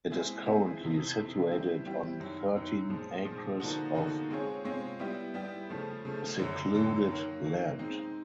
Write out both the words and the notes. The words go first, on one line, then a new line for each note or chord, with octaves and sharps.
It is currently situated on thirteen acres of secluded land.
G#3 C4 E4 G#4
G#3 C4 E4 G#4
F2 C3 E3
F2 C3 E3
E3 G3 C4 E4 G4
E3 G3 C4 E4 G4
F#2 D#3 F#3
F#2 D#3 F#3
A#2 F3 G#3
A#2 F3 G#3
D3 F3 A#3 D#4 F#4
D3 F3 A#3 D#4 F#4
G#3 C4 F4 G#4 C#5
G#3 C4 F4 G#4 C#5
G3 B3 E4 G4
G3 B3 E4 G4
C#3 F3 A3
C#3 F3 A3
F#2 D3 F#3
F#2 D3 F#3
D#3 F#3 A#3
D#3 F#3 A#3
G#3 C4 D#4